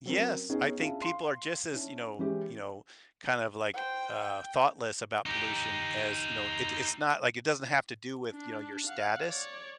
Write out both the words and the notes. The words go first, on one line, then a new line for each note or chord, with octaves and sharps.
Yes, I think people are just as, you know you know, kind of like, uh, thoughtless about pollution as you know, it it's not like, it doesn't have to do with, you know, your status,
F#3 C4 C#4 A#4
B3 C#4 D#4 G#4 C#5
D4 E4 F4 G#4 F5
F5 C6
C#4 D4 E4
E3 G#3 C#4 G4
C5 G5
G5
D#4 G4
D4
F5 F#5
C#5 D5